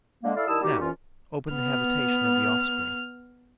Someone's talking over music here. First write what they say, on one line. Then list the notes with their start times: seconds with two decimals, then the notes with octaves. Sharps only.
Now open the habitation of the offspring.
0.24 D3 G#3 A#3
0.36 E4 A4 D5 F5
0.47 D#3 G3 E4 A5 D#6 E6
0.61 G3 A#3 D#4 F#4 G4
0.79 C2 A#2 E3 C#4 F4
1.53 B3 F6